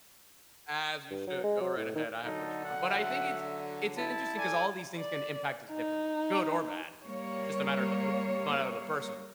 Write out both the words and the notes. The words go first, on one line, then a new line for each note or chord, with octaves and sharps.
As you should. Go right ahead. I have put you on. But I think it's it's interesting 'cause all these things can impact us differently, good or bad. It's just a matter of the peop a matter of the person.
G2
F#3
G#3
F#3
A2
D#3
D3 F#3 D#4 A4
F#5
E5
E4 A5
A4 D5 G#5
D5
D#4
G3 A#3 C#5